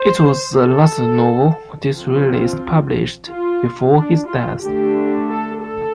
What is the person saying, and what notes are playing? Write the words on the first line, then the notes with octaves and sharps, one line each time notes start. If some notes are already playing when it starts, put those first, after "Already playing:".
It was the last novel Disraeli published before his death.
Already playing: C5
A4
F3 C4 F4
F4
D4
F4
D3 A3 D4 G4
A4
A4